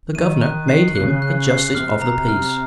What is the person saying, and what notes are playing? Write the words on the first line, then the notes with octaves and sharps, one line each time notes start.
The governor made him a justice of the peace.
D#3 D#7
F#6
C7
C#3 F#6
F#6
C7
C3 F6
A#5
F6